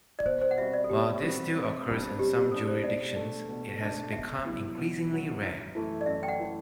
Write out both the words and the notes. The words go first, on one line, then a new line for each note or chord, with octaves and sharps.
While this still occurs in some jurisdictions, it has become increasingly rare.
D5
B2 C5
C5
F#5
G3 C4 F#4 E5
D5
A4
B2 G4
G3 C4 F#4
C3
G3 B3 D4
C3 G4
G4
G3 B3 D4 A4
C5
B2 D5
A3 D4
B2
A3 D4
B2 E5
F#3 B3 E4
B2
F#3 B3 E4
F#2
E3 A3 E4
D5
F#2 E5
G5
F#5
E3 A3 E4